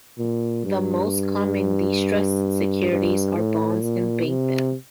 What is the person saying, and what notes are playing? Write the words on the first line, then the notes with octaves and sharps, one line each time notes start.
The most common distressed securities are bonds and bank debt.
A#2
G2
G2
A2
A#2
C3